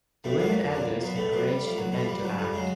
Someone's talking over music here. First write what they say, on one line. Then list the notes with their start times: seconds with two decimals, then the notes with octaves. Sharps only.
The women elders encouraged the men to act.
0.24 F2 A2 A3
0.39 A#2 D3 F#3 A#3
0.55 F2
0.70 D3 F#3
0.85 E2
1.01 B2 F#3
1.16 E2 A2 A3
1.32 B2 F#3
1.47 A1 G3
1.62 A2 F3
1.77 A1 F#3
1.92 A2 F3 G3
2.08 F2 G3
2.23 C#3 F#3
2.38 F2 G3
2.53 C#3 F#3 G#3